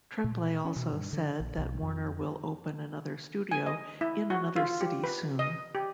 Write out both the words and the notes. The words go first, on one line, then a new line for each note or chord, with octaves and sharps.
Tremblay also said that Warner will open another studio in another city soon.
A#2
C#4
B2
G2
D3
A#1
B1
F2
G#5
D#5
E4
F#4
F4
G4
B4
D#5
G4